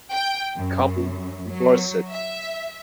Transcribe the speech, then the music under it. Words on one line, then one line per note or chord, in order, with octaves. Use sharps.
The couple divorced.
G5
F#2
F#3
E5